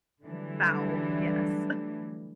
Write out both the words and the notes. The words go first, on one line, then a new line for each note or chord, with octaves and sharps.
Foul, yes.
D3 E3 F#3 G3 A3 D4